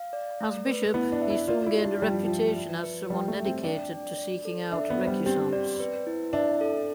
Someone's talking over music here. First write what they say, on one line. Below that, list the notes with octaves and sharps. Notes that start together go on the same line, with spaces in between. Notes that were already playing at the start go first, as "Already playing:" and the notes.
As bishop, he soon gained a reputation as someone dedicated to seeking out recusants.
Already playing: F5
D5
A3
B4
B3 E4
D4
E5
E4
F4 D5
E4
G4
D4
G3 G5
F3
F3 E5
E5
B4
G3 G5
A3
E5
C4
D4 G5
D5
D5
A4
D4 E5
B3
C5
G3
C4 G4
D5
B4
E4
D4 E5
A4